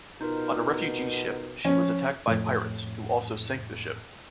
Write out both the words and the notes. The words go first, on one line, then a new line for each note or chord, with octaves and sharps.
On a refugee ship, she was attacked by pirates, who also sank the ship.
B2 D#4 F4 A#4 G6
F3 C#4
F2 A2